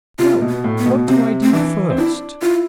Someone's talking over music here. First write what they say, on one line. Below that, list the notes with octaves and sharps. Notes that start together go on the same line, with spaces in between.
"Well, what do I do first?"
C3 F4
B2
B3
A2
B3
B2
C3 C4
C4
E3 D4
C4
D4 E4
E4 F4